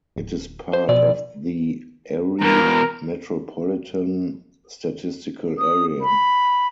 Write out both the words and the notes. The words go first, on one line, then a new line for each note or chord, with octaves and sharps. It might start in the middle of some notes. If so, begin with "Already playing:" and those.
It is part of the Erie Metropolitan Statistical Area.
D1
C5
F2 B2 D5
E2 B2 A#4
D#6
B5